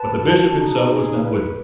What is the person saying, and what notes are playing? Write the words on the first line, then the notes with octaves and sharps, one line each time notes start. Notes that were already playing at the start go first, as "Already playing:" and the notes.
But the Bishop himself was not with them.
Already playing: B4 A5
F#4
D#4
G#4
B4